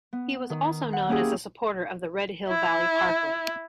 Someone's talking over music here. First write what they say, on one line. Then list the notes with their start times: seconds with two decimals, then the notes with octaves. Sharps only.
He was also known as a supporter of the Red Hill Valley Parkway.
0.13 B3
0.50 D#3
0.93 F#5
1.08 A#3 C#4 E4 G4 G#4
2.48 E4